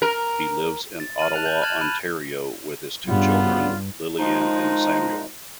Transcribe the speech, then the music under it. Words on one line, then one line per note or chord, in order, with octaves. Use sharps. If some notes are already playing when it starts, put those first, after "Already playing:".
He lives in Ottawa, Ontario with his two children, Lilianne and Samuel.
A#4
A6
F6 A6 D#7 F#7
A5 F#6 F7
G6 F#7
F6 F#6 G#6 A6 E7 F#7
B5 F#6 D#7
G2 C#3 G3 B3 F4
D#3 F3 G#3 D#4